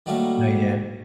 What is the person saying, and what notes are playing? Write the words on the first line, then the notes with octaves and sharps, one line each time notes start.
Oh yeah.
D#3 F#3 G3 A3 A#3